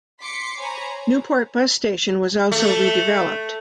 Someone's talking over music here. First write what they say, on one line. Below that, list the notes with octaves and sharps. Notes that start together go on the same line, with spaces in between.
Newport bus station was also redeveloped.
C6 D6 B6 C#7
C5 C#5 G#5 A#5 B5
A3